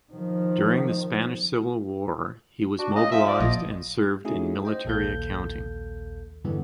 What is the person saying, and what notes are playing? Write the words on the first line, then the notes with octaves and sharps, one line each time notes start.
During the Spanish civil war he was mobilised and served in military accounting.
D#3 F3
D4 F#4
C#3 D#5
F3 E5
D5
A#1 D#5
A3 C#4 D#4 E4 F#4 G#4
C5 D#5 G5
A#1 D#2 A4 F5 G6
E2 G2 D3 E3 G#3 B3